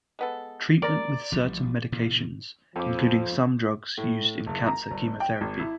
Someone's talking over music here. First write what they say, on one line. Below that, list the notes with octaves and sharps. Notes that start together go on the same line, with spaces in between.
Treatment with certain medications, including some drugs used in cancer chemotherapy.
G#3 B3 A4
A#4 D5 A#5
A1 F3 G3
A#2 C#3 E3
F2 F3 D6
A2
F#1
A#5
G1
G5
G#1
E4